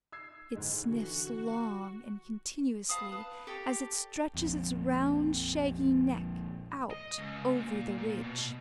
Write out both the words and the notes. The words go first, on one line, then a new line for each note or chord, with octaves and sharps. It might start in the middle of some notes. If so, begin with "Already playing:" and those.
It sniffs long and continuously, as it stretches its round, shaggy neck out over the ridge.
E6 G#6 C7
D2 G#2 G#3
D3 E3 F#4
F5 A5 B5 D#6
B4
G4 A4 C#5 C#6
A#1 F2
D#5
C#2
A#2
A#2
B2